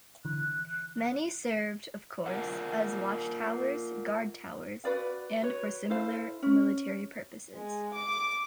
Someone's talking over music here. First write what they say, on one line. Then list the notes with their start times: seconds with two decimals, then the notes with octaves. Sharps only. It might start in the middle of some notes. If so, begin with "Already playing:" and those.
Many served, of course, as watchtowers, guardtowers, and for similar military purposes.
0.25 D3 E3 F#6
2.26 F4 A#4 C5 F#5
4.84 F#4 B4 D5 F5
5.42 F#4 B4 C#5
5.90 E4 A4 C5 F5
6.43 C#4
7.55 G#3
7.94 D6